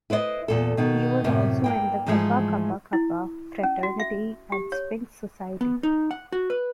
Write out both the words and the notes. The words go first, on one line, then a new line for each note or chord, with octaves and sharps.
He was also in the Kappa Kappa Kappa fraternity and Sphinx Society.
E4 B4 C5 D5 D#5
E2 A#2 A4
B2 D#3
F#2 A2 C3
G2 A#3 G5
G#2 E3 F3 G#3 A3
E4
C#4
F#4
E5
G4
C#5
B3
D#4
F#5
F#4
B4